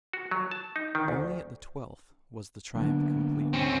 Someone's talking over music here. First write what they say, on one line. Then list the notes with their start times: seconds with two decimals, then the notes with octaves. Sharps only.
Only at the twelfth was the triumph complete.
0.13 F#4
0.31 F#3
0.51 A5
0.76 D#4
0.95 D#3
1.08 D2
2.75 D3 F#3 A#3 B3
3.53 D2 G#2 C4 C#4